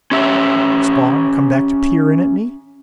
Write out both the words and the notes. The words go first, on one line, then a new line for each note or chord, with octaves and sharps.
Spawn, come back to peer in at me?
C#4 G4 E5